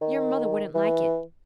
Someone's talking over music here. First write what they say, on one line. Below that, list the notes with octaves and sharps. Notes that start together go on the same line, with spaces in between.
"Your mother wouldn't like it."
D#3
E3